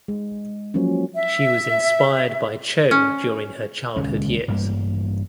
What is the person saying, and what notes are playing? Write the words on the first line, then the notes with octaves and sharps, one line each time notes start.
She was inspired by Cho during her childhood years.
G#3
F3 F#3 A#3 C#4
E5
C#4
D#1 C#2 G#3 C#4
A1 G2 G3 A#3